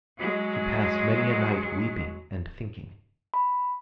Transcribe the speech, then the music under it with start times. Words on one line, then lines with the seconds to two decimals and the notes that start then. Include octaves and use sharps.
She passed many a night weeping and thinking.
0.18 F#3 G#3
3.34 B5